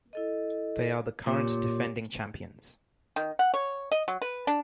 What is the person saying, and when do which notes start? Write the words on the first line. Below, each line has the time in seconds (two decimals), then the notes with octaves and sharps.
They are the current defending champions.
0.13 E4 A4 D#5
1.26 A#2 G4 C#5 D6
3.16 D#3
3.39 F#5
3.54 C#5
3.92 D#5
4.08 F#3
4.22 B4
4.47 D4